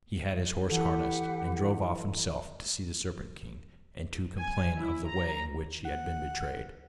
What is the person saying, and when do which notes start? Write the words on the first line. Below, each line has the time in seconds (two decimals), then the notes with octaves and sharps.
He had his horses harnessed and drove off himself to see the Serpent King and to complain of the way in which he had been betrayed.
0.70 E3 G4 A4 B4 F#5
4.38 G#5
4.76 E4
5.06 A#5
5.85 F#5